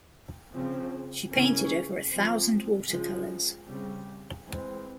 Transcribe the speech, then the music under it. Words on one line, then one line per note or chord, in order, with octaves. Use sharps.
She painted over a thousand watercolors.
C#3 F3 C4
C#3 E3 A#3 C#4
F3 C4
C#3 F3 G#3
C#3 G3 C4
E3 G#3 C4